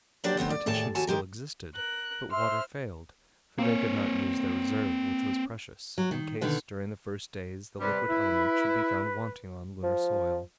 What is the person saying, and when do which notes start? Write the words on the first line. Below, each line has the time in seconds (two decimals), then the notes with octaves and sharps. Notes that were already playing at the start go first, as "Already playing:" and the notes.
The partitions still existed, but water failed, for they could not use their reserve, which was precious, in case during the first days the liquid element should be found wanting on lunar soil.
0.24 F#3 A#3 D4 G4 C5 D5
0.37 D2 B3 C4 C5
0.50 D5
0.66 D#2 A2 G#4 D5 A5
0.95 D#2 F#4 G#5 A5
1.07 D#3 G#3 G4 A#4
1.75 A#4 F#6
2.32 C5 E5 C6 F6
3.59 A#3 C4 C#5
5.98 F#3
6.11 D#3
6.41 B2 D3 D#3
7.80 C3 G3 B4
8.09 E4
9.83 F3